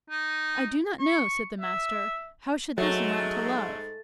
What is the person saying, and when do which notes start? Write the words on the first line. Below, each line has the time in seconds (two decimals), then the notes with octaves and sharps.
I do not know, said the Master: how should this amount to love?
0.10 D#4
0.99 C#6
1.61 E5
2.78 G#2 F#3 G#3 A3